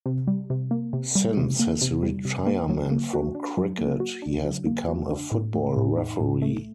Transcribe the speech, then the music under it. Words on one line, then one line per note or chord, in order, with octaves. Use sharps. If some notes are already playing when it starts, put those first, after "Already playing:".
Since his retirement from cricket, he has become a football referee.
C3
G3
C3
A#3
C3
G3
C3
A#3
C3
G3
C3
A#3
F#3
A#3
F#4
D4
F#3
A#3
F#4
D4
F#3
A#3
F#4
D4
A2
A3
A2
D#4
A2
A3